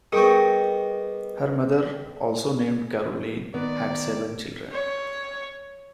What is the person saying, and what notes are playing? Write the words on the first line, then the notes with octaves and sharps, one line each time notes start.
Her mother, also named Caroline, had seven children.
G3 B3 G#4 A#4 D#5 G5 C#6
D#3 B3 D5
C#5